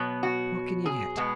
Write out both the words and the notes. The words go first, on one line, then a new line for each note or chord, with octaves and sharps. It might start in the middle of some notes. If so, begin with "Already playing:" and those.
"What can you get?"
Already playing: B2 F#3 B3
F#4
G#4
B2 G#3 B3